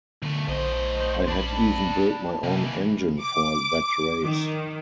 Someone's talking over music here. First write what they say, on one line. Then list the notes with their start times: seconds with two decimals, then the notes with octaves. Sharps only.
I had even built my own engine for that race.
0.22 B1 D3 A3
0.48 A#1 A2 C5 D#5
1.28 D4 A5 B5
2.43 D#2 C3 E3
3.20 D6
4.22 D#3